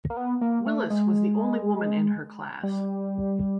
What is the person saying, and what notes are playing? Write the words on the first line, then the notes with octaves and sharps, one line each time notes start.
Willis was the only woman in her class.
A#3
B3
A#3
A3
G#3
G3